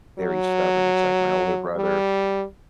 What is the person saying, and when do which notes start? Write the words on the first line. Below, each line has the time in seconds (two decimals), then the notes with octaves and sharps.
very stubborn, it's like my older brother
0.19 F#3
1.76 G3